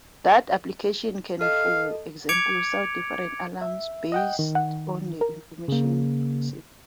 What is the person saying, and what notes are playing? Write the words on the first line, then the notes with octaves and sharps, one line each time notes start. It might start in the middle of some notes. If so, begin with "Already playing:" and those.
That application can, for example, sound different alarms based on the information received.
A4 D#5 F5
D6 G#6 C#7 D7 F7
E5
D#5 F#5 G5
D#3
F#5
A#4
C#3 A#3